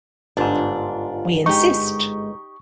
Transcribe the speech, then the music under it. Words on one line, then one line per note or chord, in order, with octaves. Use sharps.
We Insist!
G1 G#2 D4 F4
G#3 D#4 G4 C#6